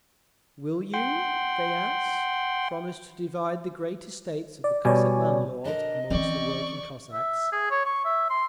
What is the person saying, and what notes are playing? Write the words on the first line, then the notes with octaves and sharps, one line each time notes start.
"Will you," they asked, "promise to divide the great estates of the Cossack landlords among the working Cossacks?"
F#5 G5 C6
D5
B2 G3 C#5 D5 G#5
D4 A#4 D#5
E3 C4 C#4 D5 C#6
E5
G#4
C#5
C#6
E5
C6